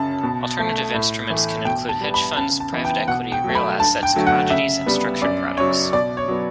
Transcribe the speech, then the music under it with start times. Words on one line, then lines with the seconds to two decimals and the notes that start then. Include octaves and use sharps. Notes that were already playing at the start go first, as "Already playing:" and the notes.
Alternative investments can include hedge funds, private equity, real assets, commodities, and structured products.
Already playing: F#2 C#3 A5
0.23 B2
0.59 A3
0.94 A2
1.30 E3 A3
1.65 B2 G5
1.89 A5
2.01 G3 B3
2.14 B5
2.37 C#3 A5
2.60 A5
2.73 E3 B3
2.85 G5
3.08 B2 F#5
3.32 G5
3.44 F#3 A3
3.55 B5
3.79 G2 A5
4.03 G5
4.15 D3 F#3 A3
4.27 F#5
4.50 C#3 E5
4.86 G3 B3
5.22 F#2 D5
5.57 C#3 F#3 C#5
5.93 B2 D5
6.17 C#5
6.28 F#3 B3